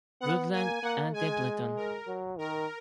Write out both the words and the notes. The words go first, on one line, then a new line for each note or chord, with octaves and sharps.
Rutland, and Templeton.
B3 F#5
A#3 G#5
A#3 F#5
G#3 G#5
A#4
F#3
D#3 A#4